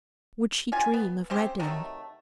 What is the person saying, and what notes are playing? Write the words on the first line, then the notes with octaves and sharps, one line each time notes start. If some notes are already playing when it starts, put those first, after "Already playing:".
Would she dream of Reddin?
F4 G4 G#5
B3
C#3 C4 G4 C5
C3 D#3 F#3 A3